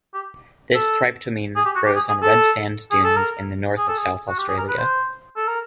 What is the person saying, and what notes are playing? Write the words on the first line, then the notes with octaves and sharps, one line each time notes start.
This thryptomene grows on red sand dunes in the north of South Australia.
G4
A4
G#4
G4
F#4
G4
G#4
G#4
A4
G#4
A4
A#4
G#4
A4
G#4
F#4
G4
G#4
A#4
B4
C5
A4
A#4